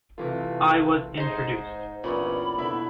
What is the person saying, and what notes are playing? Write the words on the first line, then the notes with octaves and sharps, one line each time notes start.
I was introduced.
C3 E3 A3 F4
G#2 D#4 G#4 C5
E2 G2 A#2 C#4 B5
B2 D3 E4 E5